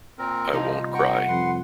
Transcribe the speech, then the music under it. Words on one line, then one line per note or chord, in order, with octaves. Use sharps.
I won’t cry.
A#2 C4 A#4
C2 F3 D#4 F4
F#5 G5 A#5 C#6
F2 B4 C6